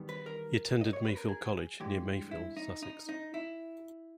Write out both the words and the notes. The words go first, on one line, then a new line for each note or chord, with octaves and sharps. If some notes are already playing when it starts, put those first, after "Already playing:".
He attended Mayfield College near Mayfield, Sussex.
Already playing: E2 D#3 G3 B3
B4
A#4
D#5
C#5
B4
A#4
G#4
G2 E3 G#3 G4
E4
D#4
D#4
D#4
E4